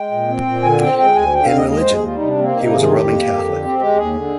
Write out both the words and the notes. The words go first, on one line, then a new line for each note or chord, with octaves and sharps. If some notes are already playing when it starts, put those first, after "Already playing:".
In religion, he was a Roman Catholic.
Already playing: G#3 G5
A#2
C4
A#2
D3 G#5
C4 G5
G#3 G5
D2 G#5
D3 G5
F5
D#2
D#5
G#3 D#5
C5
D#2
G#4
G3 F4
C3 D#4
D4
A#3 C4
C3 D#4
D#3 G#4
F4
F2 G4
A#3
F2
D3
C4
G#3 G4
D#2 G#4
D3